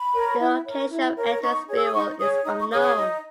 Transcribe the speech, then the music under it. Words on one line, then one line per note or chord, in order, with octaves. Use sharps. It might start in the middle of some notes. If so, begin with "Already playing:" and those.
The location of Edward's burial is unknown.
Already playing: B5
A#4 C#5
E4
A#4 C#5
E4
A#4 C#5
D#4 C#6
G#4 C#5
E6
D#6
D#4 C#6
G#4 C#5 D#6
D#4 D#6
C#6
G#4 C#5 D#6
D#6
D#4